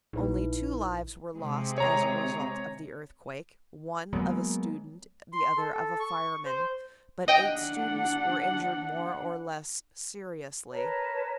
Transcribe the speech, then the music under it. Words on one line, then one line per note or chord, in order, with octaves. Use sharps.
Only two lives were lost as a result of the earthquake, one of a student, the other of a fireman, but eight students were injured more or less seriously.
A#1 D#4 E4 B4
C3 G#3
C#5 A#5
F#3 G#3 A#3 B3
C6
A4
A4
C#6
C5
D4 D#5 F#5 G5
A#4 B4 C#5 A5